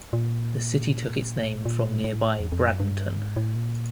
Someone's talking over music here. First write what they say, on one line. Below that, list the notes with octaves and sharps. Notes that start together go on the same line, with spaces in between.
The city took its name from nearby Bradenton.
A#2
A#2
A2
E2
F2
F#2
G2
G#2
A2
A#2